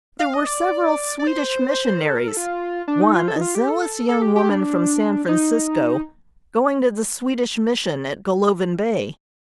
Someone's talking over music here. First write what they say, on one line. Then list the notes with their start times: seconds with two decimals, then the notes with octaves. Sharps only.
There were several Swedish missionaries; one, a zealous young woman from San Francisco, going to the Swedish Mission at Golovin Bay.
0.19 F5
0.34 D#5
0.46 D5
1.19 D5
1.27 C5
2.01 A#4
2.07 A4
2.17 A#4
2.28 A4
2.37 F4
2.88 D4
3.01 D#4
3.15 F4
3.28 A4
3.36 D#4
3.41 F4
3.55 G4
3.69 A4
4.09 A4
4.22 G4
4.36 G4
4.49 D4
5.29 D#4